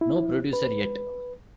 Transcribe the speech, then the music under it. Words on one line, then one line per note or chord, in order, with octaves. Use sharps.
No producer yet.
E4
B4